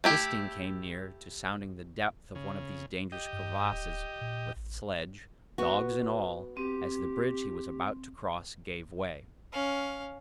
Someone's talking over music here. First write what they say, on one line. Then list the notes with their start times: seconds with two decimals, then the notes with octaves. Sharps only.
Wisting came near to sounding the depth of one of these dangerous crevasses with sledge, dogs and all, as the bridge he was about to cross gave way.
0.04 A3 E4 G4
2.35 C#3
3.12 G4 D#5
3.33 G2
3.73 D1
4.21 A#2
4.56 A1
5.58 B3 F#4
6.57 C4 G4
9.53 C#4 F5